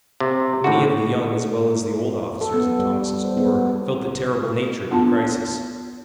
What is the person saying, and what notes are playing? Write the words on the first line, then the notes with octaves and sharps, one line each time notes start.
Many of the young as well as the old officers in Thomas' corps felt the terrible nature of the crisis.
C3
A2 F#4
A4
B3
G3
C5
B3
B3 D4 F4 A5